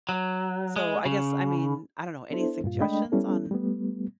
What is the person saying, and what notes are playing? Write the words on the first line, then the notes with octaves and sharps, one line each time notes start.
So, I guess I mean, I don't know, any suggestions on
F#3
G#3
C#3
B3 D4 E4 A4 C5
G2 A#2 F4
G#3 A3 D4 D#5 G5 B5
G3 B3 C#4 E4 A4
G3 A3 B3